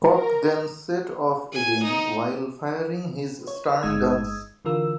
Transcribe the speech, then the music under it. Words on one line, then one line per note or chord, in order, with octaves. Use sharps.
Cock then set off again while firing his stern guns.
A#4
G#5
D#4
C#5
G1 G#3 D#4 D#6 E6 G#6
D3 E3 F4 A#4 E6